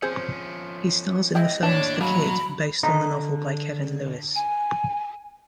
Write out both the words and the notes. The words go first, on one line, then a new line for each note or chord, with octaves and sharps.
He stars in the films "The Kid", based on the novel by Kevin Lewis.
F3 C4 C#4 G#4 C5
G#3 C4 E4 D#5
D#2 A2 D4 C#5 A5
F#3 A#3 D4 B5
D3 D#5 A#5
G#5